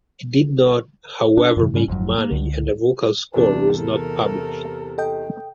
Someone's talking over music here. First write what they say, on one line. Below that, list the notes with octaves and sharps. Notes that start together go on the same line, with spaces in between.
It did not however make money and the vocal score was not published.
D4
F#2 C3 E3
G#2 C#3 G3 C#4
G1 F2 C#3 F#3
A#3
C#2 D3
E2 C3 D4
A4 A#4
A4 D#5 G5